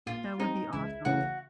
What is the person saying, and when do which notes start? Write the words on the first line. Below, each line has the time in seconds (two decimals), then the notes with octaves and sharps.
That would be awesome.
0.06 A#2 F4
0.40 G3 C4 D#4
0.73 C#2 E4
1.05 C#3 E3 A3 C#4 F#4